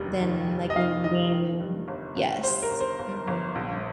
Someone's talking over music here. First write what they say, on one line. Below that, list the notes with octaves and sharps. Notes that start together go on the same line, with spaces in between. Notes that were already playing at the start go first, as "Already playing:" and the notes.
than, like, me being Yes. Mhm.
Already playing: F1 D#2 D#3 G3
D#3
G3
D#5
D#3 F5
G3 D#5
D#3
G2
G1
G1
G2 C5
A#4
G1
C5
G1
G1
A#1